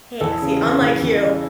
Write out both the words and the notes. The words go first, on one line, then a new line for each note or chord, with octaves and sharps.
ha see, unlike you,
E2 A4
C#3
E3
E2
E2
C#3